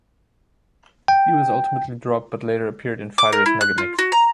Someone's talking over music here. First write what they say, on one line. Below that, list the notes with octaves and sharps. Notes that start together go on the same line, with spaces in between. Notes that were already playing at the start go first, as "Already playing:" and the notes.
He was ultimately dropped, but later appeared in "Fighters Megamix".
G5
D6
A#4
E4
F#6
F4
F#4
A#5